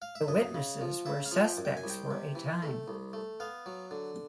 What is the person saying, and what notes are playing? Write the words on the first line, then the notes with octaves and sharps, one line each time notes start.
The witnesses were suspects for a time.
F5
E5
F#2 D#5
C#3
F3
C#3 E5
F5
F3
G5
F#2
G5
G#5
C2
G5
C3
E3
A3
C2
A3
B3 F5
F#3
D3